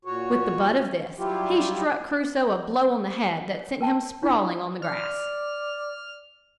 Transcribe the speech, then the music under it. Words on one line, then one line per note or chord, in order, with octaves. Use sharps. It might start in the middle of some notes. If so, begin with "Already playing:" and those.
With the butt of this he struck Crusoe a blow on the head that sent him sprawling on the grass.
A#2 F#4 C#5
F#3 G3 E4 F4 G4
C#5
A#4 G5 A5
D4 E4 F4
D5 F6